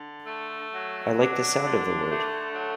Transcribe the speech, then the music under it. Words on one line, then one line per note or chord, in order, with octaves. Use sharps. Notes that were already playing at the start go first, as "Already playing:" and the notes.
I like the sound of the word.
Already playing: D3
A3
F#3
D4
D3
A3
F#3